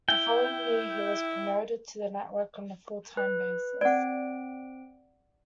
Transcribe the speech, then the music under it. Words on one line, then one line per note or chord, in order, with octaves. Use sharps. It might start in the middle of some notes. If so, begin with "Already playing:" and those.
The following year, he was promoted to the network on a full-time basis.
E4 G5
B4
C4 D5 F#5 D7